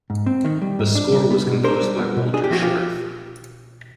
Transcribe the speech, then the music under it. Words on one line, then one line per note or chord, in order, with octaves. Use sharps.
The score was composed by Walter Scharf.
G#2
C4
D#3
G3
G#2
D4
G3
B3
B2
D4 A#4 C5
G3
B3
B2
D4 G#4
G4
F3 F#4
F4 G4